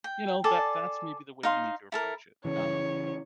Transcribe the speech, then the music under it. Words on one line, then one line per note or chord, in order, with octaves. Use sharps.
you know, that that's maybe the way you need to approach it. Um,
G5
G#4 A4 D5
D#4 F5 C6
E4 A4 A#4
C#3 E3 C#5